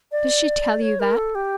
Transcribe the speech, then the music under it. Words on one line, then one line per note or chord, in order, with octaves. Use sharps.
"Did she tell you that?"
D5
C#5
A#4
A4
G4